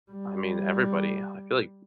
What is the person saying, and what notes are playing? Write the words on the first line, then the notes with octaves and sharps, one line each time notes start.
I mean, everybody. I feel like
G3